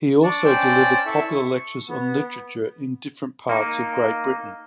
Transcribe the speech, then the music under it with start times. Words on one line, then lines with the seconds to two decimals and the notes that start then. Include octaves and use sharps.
He also delivered popular lectures on literature in different parts of Great Britain.
0.23 D4 D5 C#6
0.45 C#4 C5 D5 G5 A5
1.06 E4 A4 E5 C#6
1.28 C#6
1.88 B3
3.49 A#3 D#4